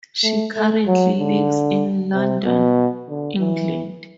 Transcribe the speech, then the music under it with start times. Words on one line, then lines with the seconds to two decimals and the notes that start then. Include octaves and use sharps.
She currently lives in London, England.
0.23 A3
0.55 A3
0.87 F#3
1.19 D3
2.14 C3
2.45 B2
3.09 D3
3.40 E3